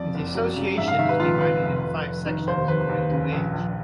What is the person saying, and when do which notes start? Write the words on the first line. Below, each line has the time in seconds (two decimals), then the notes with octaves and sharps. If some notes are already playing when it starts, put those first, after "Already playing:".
The association is divided in five sections according to age.
Already playing: F2 D5
0.14 F#1
0.35 F#3
0.56 C#3
0.78 G#2 E5
0.88 F5
0.99 D#3 E5
1.09 B4
1.20 A#1 F4
1.41 D#3 B4
1.63 F1
1.84 F1
2.04 F1
2.26 D#3
2.47 D#2 C5
2.68 D#2 B4
2.89 D#2
3.11 C#3
3.32 A#1
3.53 A#1